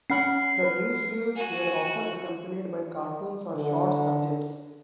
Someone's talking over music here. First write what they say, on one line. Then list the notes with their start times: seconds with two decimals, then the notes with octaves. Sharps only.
The newsreels were often accompanied by cartoons or short subjects.
0.10 C#4 F#5 B5 F6 C7
0.63 B4
1.36 F#4 G#5
3.55 D3